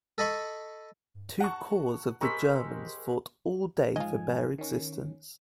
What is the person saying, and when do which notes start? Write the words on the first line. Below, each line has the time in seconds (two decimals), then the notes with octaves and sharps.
Two corps of the Germans fought all day for bare existence.
0.18 A4 D#5 B5 C#6
1.40 F#5 A5 A#5 C#6
2.21 G#3 G4 A#4 C5 A#5 B5 C#6 E6
3.96 G#2 F3 F4 D#5 G#5
4.58 D#3 C#4